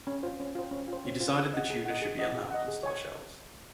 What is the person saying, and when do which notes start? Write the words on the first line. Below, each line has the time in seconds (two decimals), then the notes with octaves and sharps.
He decided the tuna should be allowed on store shelves.
0.07 C#4
0.23 F4 C5
0.40 C#4
0.55 F4 C5
0.71 C#4
0.88 F4 C5
1.05 C#4
1.20 F4 C5
1.37 G#4
1.54 D#5 F#5
1.70 G#4
1.85 D#5 F#5
2.02 G#4
2.19 D#5 F#5
2.35 G#4
2.51 D#5 F#5
2.68 G#4
2.83 C#5 G#5 C#6